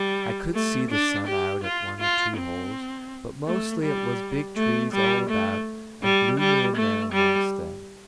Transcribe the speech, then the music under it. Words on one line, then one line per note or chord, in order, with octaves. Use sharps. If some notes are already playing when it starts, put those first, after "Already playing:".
I could see the sun out at one or two holes, but mostly it was big trees all about, and gloomy in there amongst them.
Already playing: G3
A3
D4
G4
F4
F4
C4
A3
G3
A3
G3
A3
G3
G3
A3
G3